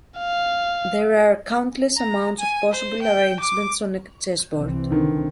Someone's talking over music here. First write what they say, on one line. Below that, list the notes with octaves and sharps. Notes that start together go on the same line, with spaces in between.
There are countless amounts of possible arrangements on a chessboard.
F5
A#5
G#5
C5
G5
D6
C2 E3 C4
D3 D#3